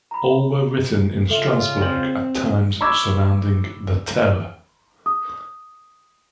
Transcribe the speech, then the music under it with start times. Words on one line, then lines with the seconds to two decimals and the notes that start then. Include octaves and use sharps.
All were written in Strasbourg at times surrounding the Terror.
0.11 A#5 B5
1.30 C#3 G#3 F4 A4 E5
1.81 C4 D5 G6 F#7
2.81 B5 C#6 D6 E6 G#6
5.06 D#6